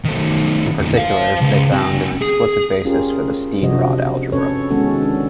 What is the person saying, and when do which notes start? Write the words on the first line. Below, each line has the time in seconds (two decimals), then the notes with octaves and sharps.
In particular they found an explicit basis for the Steenrod algebra.
0.05 D#3 A3
0.79 F2 D3
0.97 C5 F5
1.41 C#2
1.72 C4 G#5
2.21 G#4
2.85 C#4 F4 G4 G#4 A#4
3.62 C3 F3 D4 F#4 C5 D#5
4.32 C#4 A4 B4 C#5
4.70 D#3 G#3 B3 C#4 F#4 A4
5.03 D4